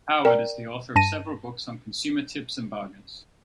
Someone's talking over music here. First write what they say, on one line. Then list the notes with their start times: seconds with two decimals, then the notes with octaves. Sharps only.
Howard is the author of several books on consumer tips and bargains.
0.25 A#4 D5 G5
0.96 G2 A5 A#6 D#7